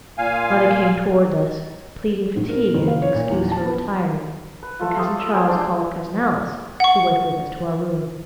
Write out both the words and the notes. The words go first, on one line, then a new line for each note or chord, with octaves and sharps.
Mother came toward us, pleading fatigue as an excuse for retiring, and Cousin Charles called Cousin Alice, who went with us to our room.
A#2 F5 G#5
A#1
A#4
F#1
F5
C#5
A#2
E2
A5
B3
B4
A3 F4
A3 G4 C6 D#6
E5
G#4 C5 G#5 D6
D4 D5 A5 C6
F#5 C#6